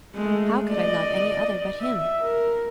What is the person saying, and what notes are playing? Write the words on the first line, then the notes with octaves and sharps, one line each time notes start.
How could I love any other but him?
G#3 A3
D5 D#5
E5
A#4